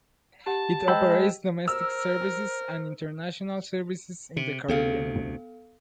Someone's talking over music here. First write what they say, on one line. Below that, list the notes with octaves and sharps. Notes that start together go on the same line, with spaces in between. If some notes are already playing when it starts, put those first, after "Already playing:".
It operates domestic services and international services in the Caribbean.
G4 F#5 A5
G#3 C5 D#5 G5 B5 E6
A#4 C5 E6
C3
D2 C3 B3 A4 F5